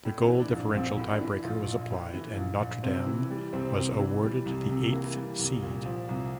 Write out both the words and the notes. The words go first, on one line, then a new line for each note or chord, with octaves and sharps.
The goal differential tiebreaker was applied and Notre Dame was awarded the eighth seed.
A2
C4
E3
D4
A#1
D4
A#1 C4
A2
D4
E3
A#1 F4
A#1
A2
E3
A#1
A#1
C3 C4
E3
G3
C2 C4
C3
E3
G3
C2
C3
E3 A#3
G3
C2
A#2
F3
C2